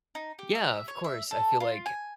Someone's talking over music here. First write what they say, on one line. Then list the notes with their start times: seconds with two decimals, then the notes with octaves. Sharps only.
Yeah, of course. I feel like
0.15 D#4
0.39 G4
0.55 E5
0.88 C#5
1.04 E5
1.31 A4
1.60 F4
1.86 G#5